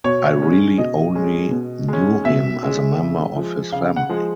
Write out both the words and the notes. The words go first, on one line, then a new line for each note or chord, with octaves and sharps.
I really only knew him as a member of his family.
B2 C#5
G#3 C#4
B2 D#5
G#3 C#4
B2
G#3 C#4
B2 E5
G#3 C#4
C#3
F3 G#3
C#3 F5
F#5
F3 G#3